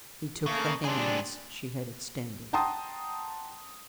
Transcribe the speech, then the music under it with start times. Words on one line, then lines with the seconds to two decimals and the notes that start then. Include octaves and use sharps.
He took the hands she had extended.
0.46 C#3 A3 A#3
0.85 G3 C4 D4 G#4
2.53 F#5 G5 A5 A#5 C6 D#6